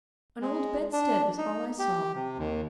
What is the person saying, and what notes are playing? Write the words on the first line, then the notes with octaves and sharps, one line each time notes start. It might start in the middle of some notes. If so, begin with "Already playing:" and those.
An old bedstead was all I saw.
G#3
D4
D#4
G4
C3
D#2